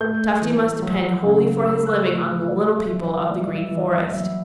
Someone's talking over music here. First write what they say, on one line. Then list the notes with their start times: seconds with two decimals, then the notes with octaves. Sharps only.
Tufty must depend wholly for his living on the little people of the Green Forest.
0.01 A3 G6
0.42 E3
0.82 F#3
1.23 C#3
1.65 C#4 E6
1.87 F#6
2.06 A3 C#6
2.48 A3 D5
2.76 E5
2.89 F#3
3.03 E5
3.30 G3 D5
3.38 E5
3.46 D5
3.57 E5
3.71 E3
3.77 D5
3.85 E5
4.12 F#3 E5